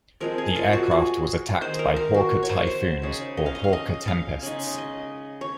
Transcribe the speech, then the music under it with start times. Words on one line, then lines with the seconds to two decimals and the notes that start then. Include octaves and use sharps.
The aircraft was attacked by Hawker Typhoons, or Hawker Tempests.
0.20 F3 G#3 C4 A#4
0.38 G#4
0.56 F4
0.73 F#4
0.91 G#4
1.61 D#3 G#3 D#4 C5
1.79 A#4
1.96 A#4
2.14 F#4
2.43 C#5
2.49 C5
2.67 C5
3.02 C#3 G#3 D#4
3.37 D#5
3.46 F5
3.55 D#5
3.64 F5
3.73 D#5
4.08 F5
4.43 C#3 G#3 D#4
4.78 D#5
5.41 C#5